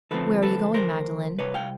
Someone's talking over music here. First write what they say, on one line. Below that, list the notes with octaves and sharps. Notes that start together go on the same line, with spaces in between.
"Where are you going, Magdalen?"
D2 D3 F3 A3 C4 A4 B4
A4 B4
A#4 C5
C2 C3 B4 C#5
F5 G5